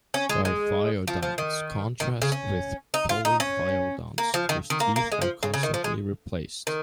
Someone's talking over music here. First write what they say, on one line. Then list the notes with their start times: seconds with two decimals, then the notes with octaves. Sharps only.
Diphyodonts contrast with polyphyodonts, whose teeth are constantly replaced.
0.14 C#4
0.29 G#3
0.45 G#3
1.08 F3
1.23 F3
1.38 D#3
2.00 D#3
2.22 C#3
2.32 C#4
2.94 D#4
3.09 F4
3.25 D#4
3.40 C#4
4.18 A#3
4.34 F3
4.49 D#3
4.70 D#3
4.80 A#3
4.96 A#3
5.12 G#3
5.22 F3
5.43 C#3
5.54 C#3
5.63 D#3
5.74 F3
5.84 G#3
6.67 D#3